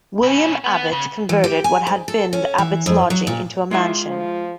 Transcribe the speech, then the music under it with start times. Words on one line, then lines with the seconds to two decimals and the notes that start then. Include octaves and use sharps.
William Abbot converted what had been the Abbot's Lodging into a mansion.
0.23 B2 C#4
0.64 B3
0.93 C#3
1.29 E3
1.44 G4
1.64 G#5
1.87 G#2
2.08 A4
2.33 C#4
2.58 E3
2.86 F2
3.10 F#3
3.27 A#2
3.71 G#3 E4 F4 E5
4.08 F3